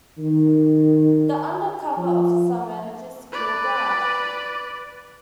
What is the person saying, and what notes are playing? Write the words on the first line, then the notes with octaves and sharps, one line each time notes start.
The undercover officer manages to kill Brown.
D#3
F3
B4 D5